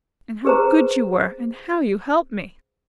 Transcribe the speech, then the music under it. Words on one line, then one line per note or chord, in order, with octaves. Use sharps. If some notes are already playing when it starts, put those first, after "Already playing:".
And how good you were, and how you helped me!
G4 G#4 B4 C5 A#5